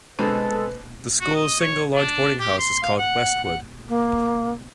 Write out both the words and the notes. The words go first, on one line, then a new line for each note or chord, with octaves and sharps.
The school's single large boarding house is called Westwood.
B2 D3 G#3 C4 A4 B4
F#4
D#5
C#5
D4
G4
C6
F5
F#5
F#5
A#3